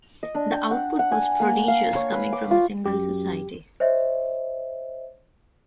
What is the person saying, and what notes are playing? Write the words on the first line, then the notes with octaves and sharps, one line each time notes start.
The output was prodigious, coming from a single society.
D#5
D4
G5
F#5
F#5
G#5
A#3
F5
C#5
B4
D6
F4
F#2 G4
C5 C#5 D#5 E5